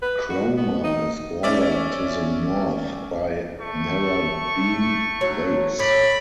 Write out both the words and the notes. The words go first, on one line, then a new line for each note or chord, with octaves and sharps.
Cromer is bordered to the north by Narrabeen Lakes.
B4
F#4
B3
D#4
C#4 D5 E5
A3 C#6
F#3
A2 D5 B5